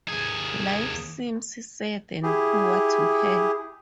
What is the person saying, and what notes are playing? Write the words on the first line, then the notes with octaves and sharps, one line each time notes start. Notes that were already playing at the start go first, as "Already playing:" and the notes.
Life seems sad and poor to her.
D#2 G#4
E4 G4 G#4